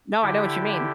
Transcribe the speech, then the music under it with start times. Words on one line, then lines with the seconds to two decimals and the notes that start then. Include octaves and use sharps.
No, I know what you mean.
0.22 D3 E4 G4